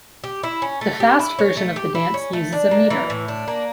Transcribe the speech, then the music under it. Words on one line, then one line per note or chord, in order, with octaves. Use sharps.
The fast version of the dance uses a meter.
G4
E4
C#4
A3
G4
E4
C#4
A3
G4
E4
C#4
A3
D4
A#3
E3
A2
D4
A#3